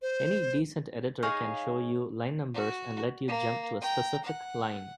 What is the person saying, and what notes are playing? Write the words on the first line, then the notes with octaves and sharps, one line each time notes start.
Any decent editor can show you line numbers and let you jump to a specific line.
C5
D#4 G#4 C#5 F5
F#4
A#3
G5 A#5
F#5